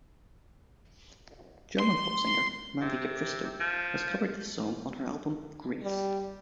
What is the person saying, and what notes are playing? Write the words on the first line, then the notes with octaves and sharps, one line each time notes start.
German pop singer Mandy Capristo has covered this song on her album "Grace".
C6
C3
F3
G3